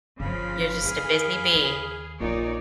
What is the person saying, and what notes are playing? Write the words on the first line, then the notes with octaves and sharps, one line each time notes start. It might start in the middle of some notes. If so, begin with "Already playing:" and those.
You're just a busy bee.
G1 C#3 F3 F5 B5
F2 G#4
D#2
A#1 A#2 F3 D#4 C#5 D5